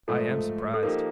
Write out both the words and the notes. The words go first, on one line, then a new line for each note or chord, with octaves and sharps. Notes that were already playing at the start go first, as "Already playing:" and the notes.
I am surprised.
G#2 F3 A3 A4
A4
F3 A#3 D#4 G4 A#4